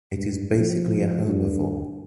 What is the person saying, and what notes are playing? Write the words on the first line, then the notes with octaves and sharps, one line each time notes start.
It is basically a herbivore.
G2
F3
G2